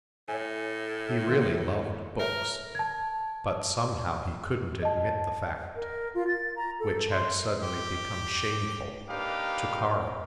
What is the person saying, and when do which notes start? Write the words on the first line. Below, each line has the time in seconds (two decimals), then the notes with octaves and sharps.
He really loved books, but somehow he couldn't admit the fact, which had suddenly become shameful, to Carl.
0.28 A2 C#5 G#5
1.27 D#3 A#3
2.19 A#4 B4 C#5 E5
2.75 A5 G#6
4.83 D#5 A5
5.76 A#4
6.15 F4
6.27 A6
6.56 A#5
6.80 A4
7.11 C6
7.63 G4
9.09 A#3 D4 D#4 G4 B4 F5